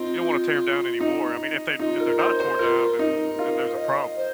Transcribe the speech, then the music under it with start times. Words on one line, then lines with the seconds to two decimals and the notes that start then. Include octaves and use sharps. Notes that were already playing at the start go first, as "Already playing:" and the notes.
you don't wanna tear 'em down anymore. I mean, if they if they're not torn down, then then there's a problem.
Already playing: C4 D#4 F4
1.00 D#4
1.79 D#4 F4
2.00 A#4
2.19 C5
2.40 C5
2.59 F4 A#4
2.99 D#4
3.38 F4 A#4
3.72 C5
3.78 D#5
4.17 C5